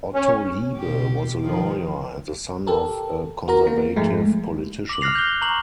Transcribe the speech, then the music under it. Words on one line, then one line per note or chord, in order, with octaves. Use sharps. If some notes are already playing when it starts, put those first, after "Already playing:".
Otto Liebe was a lawyer and the son of a conservative politician.
C#4
B2 G4
D#3 F3
G4 A4 A#4
F#4 A#4 A#5
A#3
G#2 F3 G#3 A3
D6 F#7
F6 F#6 A#6 C7 F7
G6 G7
A#5 C#6 F#7